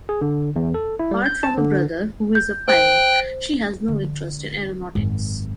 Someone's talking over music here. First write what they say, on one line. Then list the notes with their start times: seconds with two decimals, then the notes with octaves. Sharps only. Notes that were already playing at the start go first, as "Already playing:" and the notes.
Apart from a brother who is a pilot, she has no interest in aeronautics.
0.09 G#4
0.21 D3
0.56 E2
0.74 A4
0.99 E4
1.11 G3
1.26 G6
1.43 A5
1.58 D3
2.35 G6
2.68 C5 G5 F#6
3.88 D3
4.95 G#1 F#2